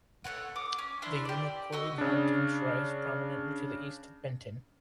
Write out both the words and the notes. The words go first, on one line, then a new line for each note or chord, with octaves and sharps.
The Unicoi Mountains rise prominently to the east of Benton.
A3 A#3 C#5 F#5
D6 D#6
C#4
D4 E4 C6
G4 D5
F#4 D#5 E6
C#3 D4